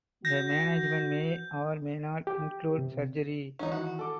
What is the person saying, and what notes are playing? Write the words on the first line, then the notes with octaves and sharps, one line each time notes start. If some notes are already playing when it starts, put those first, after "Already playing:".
The management may or may not include surgery.
F#4 G6 A#6
G4
C3
D#3 E3 C#4 D#4
F#4
A4 D6